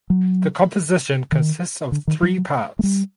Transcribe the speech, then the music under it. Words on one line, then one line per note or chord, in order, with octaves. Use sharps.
The composition consists of three parts.
F#3
D#3
D3
D#3
F#3
A3
G3